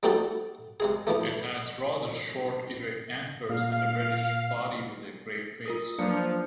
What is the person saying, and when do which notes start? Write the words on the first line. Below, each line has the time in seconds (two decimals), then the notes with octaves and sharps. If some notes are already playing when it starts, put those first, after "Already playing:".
It has rather short, erect antlers and a reddish body with a grey face.
0.03 G3 A3 C4 D#4 F#4 A4
0.80 C3 G#3 G#4
1.07 E2 E3 F3 A3
3.49 A#2 F5
5.66 F4 A#4 D#6
5.99 F3 F#3 A#3 D4 C#7